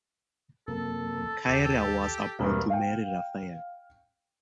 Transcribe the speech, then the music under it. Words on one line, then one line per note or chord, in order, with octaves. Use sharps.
Kyra was about to marry Rafael.
F#2 C3 A#3 A4
D#2 G4
E1 G2 C3 A#3 C4
F5 G5